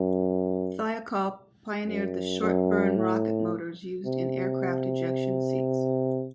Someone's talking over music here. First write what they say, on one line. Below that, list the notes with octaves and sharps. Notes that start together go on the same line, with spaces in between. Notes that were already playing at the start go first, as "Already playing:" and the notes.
Thiokol pioneered the short-burn rocket motors used in aircraft ejection seats.
Already playing: F#2
F#2
F#2
A2
C3